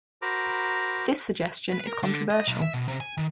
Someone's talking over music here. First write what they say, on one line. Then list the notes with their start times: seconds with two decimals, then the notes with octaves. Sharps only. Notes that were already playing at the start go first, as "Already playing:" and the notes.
This suggestion is controversial.
0.22 F#4 A#4 C5 A#5 B5 D6
1.72 B4
1.87 A#4
2.03 D3
2.30 D#5
2.48 B1
2.62 E5
2.74 B2
2.88 C3
3.00 G#5
3.17 D#3